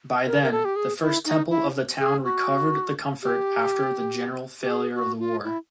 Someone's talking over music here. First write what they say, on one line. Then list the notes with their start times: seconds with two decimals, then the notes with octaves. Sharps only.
By then, the first temple of the town recovered the comfort after the general failure of the war.
0.26 A#4
0.43 A#4
0.51 A4
0.65 G4
0.76 G#4
1.01 E4
1.25 D#4
1.50 E4
1.99 G#4
2.24 F#4
3.23 G4
4.62 G4
4.70 G#4
4.95 F#4
5.19 F4
5.44 E4